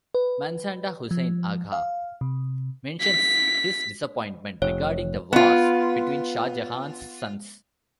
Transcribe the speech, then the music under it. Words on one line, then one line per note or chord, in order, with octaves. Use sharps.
Manzada Husain Agha mentions his disappointment regarding the wars between Shah Jahan's sons.
B4
F3
F5
C3
B6
F1 C#5
B3 F4